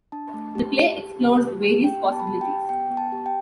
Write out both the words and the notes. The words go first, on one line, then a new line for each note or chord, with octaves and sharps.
The play explores various possibilities.
D4 A5
A3
G4
G4
G4
G4
A3
G4
G4 G5
B3
A5
B5
G4 A5
G5
G4
B3 G5
B3
A5
G4
G5